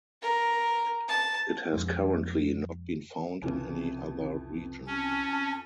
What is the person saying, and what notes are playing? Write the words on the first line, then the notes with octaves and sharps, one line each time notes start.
It has currently not been found in any other region.
A#4
A5
F2 G#3
C2 F2 C#3 E3
C#4 A5